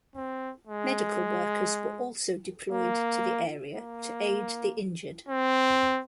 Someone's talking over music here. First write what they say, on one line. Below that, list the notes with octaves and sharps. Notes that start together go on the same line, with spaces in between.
Medical workers were also deployed to the area to aid the injured.
C4
G#3
A#3
A#3
C4